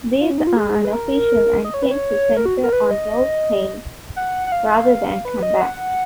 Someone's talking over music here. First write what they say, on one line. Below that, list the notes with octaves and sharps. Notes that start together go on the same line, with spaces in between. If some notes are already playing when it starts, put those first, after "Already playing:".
These are unofficial and tend to centre on role-playing rather than combat.
F4
C#4
D#4
F4
G#4
B4
A#4
D#5
C#5
B4
C#5
A#4
F#4
A#4
B4
D#5
F#5
F#5
F5
B4
D#5
F#5